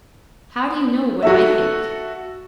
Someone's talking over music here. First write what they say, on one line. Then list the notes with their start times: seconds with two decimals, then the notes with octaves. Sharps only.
'How do you know what I think?'
1.22 F#4 A4 E5